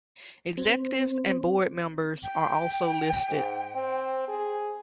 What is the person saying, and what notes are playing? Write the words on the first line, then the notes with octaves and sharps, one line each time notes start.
Executives and board members are also listed.
C4
G5
G#2
C4
G#4